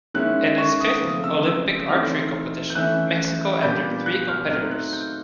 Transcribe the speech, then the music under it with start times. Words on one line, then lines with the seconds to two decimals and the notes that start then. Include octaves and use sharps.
In its fifth Olympic archery competition, Mexico entered three competitors.
0.14 D#3 G#3 C#4 E4 F#6
0.58 C#6
0.80 D#6
1.02 C#3 F3 A3 C4 D#6
1.24 E6
1.45 E6
1.89 E3 A3 C4 D#4 F6
2.70 G6
2.75 E3 A3 C#4 E4 F#6
3.63 A#2 G3 B3 D4 G6
4.06 F#6
4.28 F6
4.49 F#3 A3 C4 D#4 F6
4.71 F#6
4.93 G6